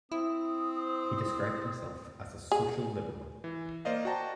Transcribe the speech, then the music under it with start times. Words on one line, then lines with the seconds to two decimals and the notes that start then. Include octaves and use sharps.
He described himself as a 'social liberal'.
0.12 C4 E4 D#6
2.52 G#4
3.44 E3
3.85 A#3 C5 D5 D#5 F5
4.05 F#4 D5 G5 A5 A#5